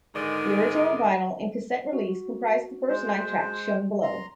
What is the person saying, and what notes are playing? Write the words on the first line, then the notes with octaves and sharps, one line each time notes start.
The original vinyl and cassette release comprised the first nine tracks shown below.
G#2 D3 D#3 G#3 D5
F#4
G#3 C5
A#5 C6